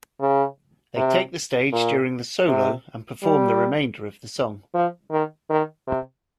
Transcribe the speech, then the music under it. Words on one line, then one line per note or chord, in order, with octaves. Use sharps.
They take the stage during the solo and perform the remainder of the song.
C#3
C3
A#2
C3
G3
F3
D#3
D#3
C3